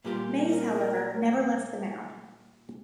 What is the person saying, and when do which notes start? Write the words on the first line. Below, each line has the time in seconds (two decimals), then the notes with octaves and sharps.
Mays, however, never left the mound.
0.05 A#2 G3 A#3 F4 G4
0.50 A#4